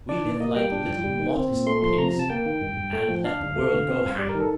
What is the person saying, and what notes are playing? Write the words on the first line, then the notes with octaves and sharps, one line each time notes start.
We live like little modest pigs. And let the world go hang.
D4 D5
A#2
A#3 D#5
G3 G5
D4
G2
G3
D#3
C4
A#2
A3 C6
F3 C6
C3 A#5
C3
A5
A#3 G5
D#3
G2
G2
A3
F3
D4 F5
D2
A3
D3
C4
G2
G3 D5
A#4
D#3
A4